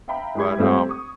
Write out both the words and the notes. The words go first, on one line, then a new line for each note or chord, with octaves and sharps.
But, um
E5 F5 G5 A#5 B5
G#3 E4 G4 B5 G#6
G3 A3 C4 F4 G4
C#6 D#6